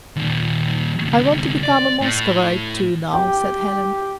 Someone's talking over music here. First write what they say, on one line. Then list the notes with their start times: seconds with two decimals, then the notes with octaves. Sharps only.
"I want to become a Moscovite too, now," said Helene.
0.16 D#2 A#2
1.05 D2 C3
1.63 D5
2.01 A2
3.13 G4 G5